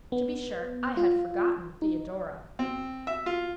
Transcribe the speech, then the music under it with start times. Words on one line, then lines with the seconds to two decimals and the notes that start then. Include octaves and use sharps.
"To be sure; I had forgotten Theodora."
0.12 B3
0.97 F4
1.82 D#4
2.59 C4
3.07 E5
3.26 F4